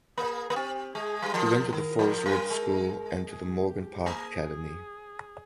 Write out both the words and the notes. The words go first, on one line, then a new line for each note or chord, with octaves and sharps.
He went to the Forest Ridge School and to the Morgan Park Academy.
A#3 G#4
A#3
C4 G4
G#3 G#4
G3
F3 A#4
D#3 A#4
F3
G3
G#3
G#4
G4
A#3 G#4